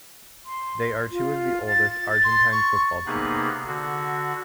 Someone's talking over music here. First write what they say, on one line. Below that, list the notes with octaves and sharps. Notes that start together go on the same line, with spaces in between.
They are two of the oldest Argentine football teams.
C6
F4
A6
C6
C#6
C3 A#3 B3 D#4 G#4 F#6
D3 F#4